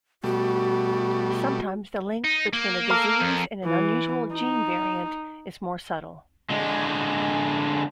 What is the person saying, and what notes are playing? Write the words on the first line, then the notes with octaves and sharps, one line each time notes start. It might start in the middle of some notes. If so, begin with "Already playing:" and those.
Sometimes the link between a disease and an unusual gene variant is more subtle.
B2 G3 A3 F#4
D#4
A#3
A4 A#4 F5
F2
E3
D#4
D3 G#3